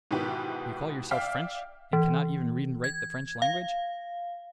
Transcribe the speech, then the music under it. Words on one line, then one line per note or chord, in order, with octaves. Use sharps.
You call yourselves French, and cannot even read and write the French language?
G#2 B2 D#3 B3 E4 G4
D5 E5 F5 G5 F6
E3
G#6
F5